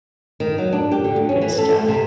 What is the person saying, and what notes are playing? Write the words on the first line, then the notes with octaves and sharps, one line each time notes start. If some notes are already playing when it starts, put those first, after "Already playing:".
Good stuff.
D#3
F#3
D4
G4
D3
D2
C#4
E3
A4
A3
C3